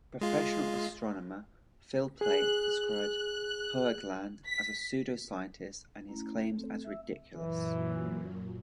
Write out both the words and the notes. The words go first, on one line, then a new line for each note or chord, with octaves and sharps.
Professional astronomer Phil Plait described Hoagland as a pseudoscientist and his claims as ridiculous.
G#3 F4
G#4 F#6
F#6
B6
A3 C#4 E4 A#5
A3 C4 A4
E5 E6
F#2 A#2 E3 F#3